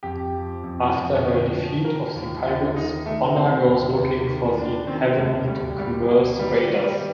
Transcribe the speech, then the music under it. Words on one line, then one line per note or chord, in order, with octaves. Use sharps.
After her defeat of the pirates Honor goes looking for the Havenite commerce raiders.
F2 G4
F3
F2
F2
D3
F3
D#3 A#4
D#2
D#2 F4
D#3 D#4
D#3 A3
D#3 C4
D#2
D#2
D#3
D#3 D4
D#3 C4
D#2 A3
D2 G3
D2 G3
D2 A#3
D#3 G3
D#3
G3